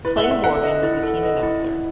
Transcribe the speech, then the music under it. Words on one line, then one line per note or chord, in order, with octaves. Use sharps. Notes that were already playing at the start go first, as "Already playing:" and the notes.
Clay Morgan was the team announcer.
E4 B4
E5
F#5
E5
A4 F#5
D#5
E4
A4
D#5
E4
E4